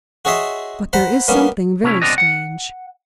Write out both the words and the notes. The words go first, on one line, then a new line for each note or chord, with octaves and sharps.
But there is something very strange.
F#4 G#4 C#5 D#5 E5 C6
C5 F#5 A#5 B5
G3 A#3 B3 C#4
C3 A3 C#4 E4
C2 B2 G#3 C4 D4 D#5
F#5